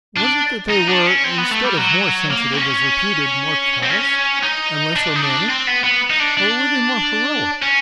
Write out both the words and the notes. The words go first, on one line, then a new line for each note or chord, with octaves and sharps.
Was it that they were, instead of more sensitive, as reputed, more callous, and less romantic; or were they more heroic?
D4
D#4
D4
C#4
C4
B3
A3
G3
F#3
A#3
C4
C#4
C4
C#4
D#4
D4
D#4
D4
C4
B3
B3
D#4
D4
D4
C#4